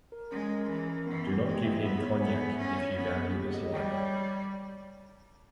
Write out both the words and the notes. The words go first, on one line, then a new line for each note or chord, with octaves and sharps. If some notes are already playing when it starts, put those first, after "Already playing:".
Do not give him cognac if you value his life.
A#4
G#3 C#4
A#4
E3 C#4
A#4
E3 B3
G4
G#3 G5
E5
B3 E5
C#5
B3 G#5
E5
C#4 E5
C#5
A#3 B3
G#4
G4
D#5
G3 G5
C#5